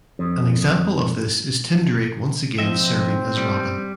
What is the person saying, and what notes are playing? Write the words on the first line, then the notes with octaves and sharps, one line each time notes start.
An example of this is Tim Drake once again serving as Robin.
F2
F3 C4 D#5 E5
G3